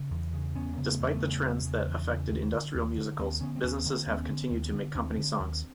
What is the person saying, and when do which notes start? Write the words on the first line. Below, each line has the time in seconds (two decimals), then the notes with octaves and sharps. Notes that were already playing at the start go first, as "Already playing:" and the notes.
Despite the trends that affected industrial musicals, businesses have continued to make company songs.
Already playing: C#3
0.11 E2
0.33 C#3
0.55 E2 B3 C#4
0.73 C#3 A#3
0.85 A3 B3
0.99 E2
1.14 A3 B3
1.21 C#3
1.43 E2
1.65 C#3
1.87 E2
2.10 C#3
2.31 D#2
2.53 D3
2.75 D#2
2.97 D3
3.19 D#2 A#3 C4
3.41 D3 B3 C#4
3.55 C4
3.63 D#2 B3 C#4
3.85 D3 A#3 C4
4.06 D#2 B3 C#4
4.29 D3
4.50 D#2
4.73 D3
4.95 D#2 C4 D4
5.17 D3
5.39 D#2